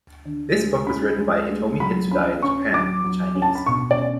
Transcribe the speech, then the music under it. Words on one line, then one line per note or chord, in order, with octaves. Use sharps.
This book was written by Hitomi Hitsudai in Japan, in Chinese.
D3
G#3
C#4 B5
G#3
G#3
F#3 B5
C#4 B5
C#4 C#6
F#3 D6
F#3
C#4
A5
B5
B2 C#6
D5
C#4